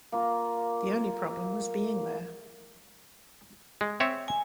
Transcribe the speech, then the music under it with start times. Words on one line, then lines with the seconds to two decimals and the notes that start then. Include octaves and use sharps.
The only problem was being there.
0.12 A#3 F4
3.81 G#3
4.00 C4 C#5 E5
4.28 G#5